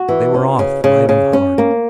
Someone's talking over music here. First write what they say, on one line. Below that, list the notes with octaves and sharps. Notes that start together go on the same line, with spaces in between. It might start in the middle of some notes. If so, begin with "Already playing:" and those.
They were off, riding hard.
Already playing: F#4
E3
C#4
C#3
C#3
C#3
C#4
A#3